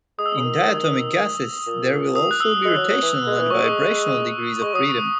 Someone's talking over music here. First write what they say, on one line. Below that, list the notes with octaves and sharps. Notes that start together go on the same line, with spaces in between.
In diatomic gases there will also be rotational and vibrational degrees of freedom.
G#3 D#6
E6
D#6
C#3
D#3
D#6
D#6
A#2
D#6
F#6
E6
G#3
F#3
F#3
E3
G#3
E3
F#3 C#6
G#3 D#6
G#3 C#6
F#3 D#6
C#6